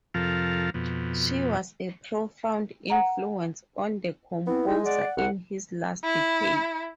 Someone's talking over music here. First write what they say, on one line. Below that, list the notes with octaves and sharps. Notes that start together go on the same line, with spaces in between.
She was a profound influence on the composer in his last decade.
F2 C3 F3 A4 A#4 F5
F2 B2
F#5 A#5
B3 C4 E4
G#3 D#4
D5 F#5
C2 F#5
E4